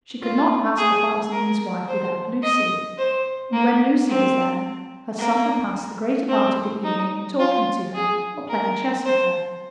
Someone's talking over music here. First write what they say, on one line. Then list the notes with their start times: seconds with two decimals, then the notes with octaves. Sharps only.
She could not ask the parson and his wife without Lucy; and when Lucy was there, her son would pass the greater part of the evening in talking to her, or playing chess with her.
0.22 F4
0.77 G#4
1.32 A#4
1.88 C5
2.43 D#5
2.98 C5
3.53 A#3
4.08 C4
5.18 A#3
6.29 C4
6.84 D#4
7.39 F4
7.95 G#4
8.50 A#4
9.05 C5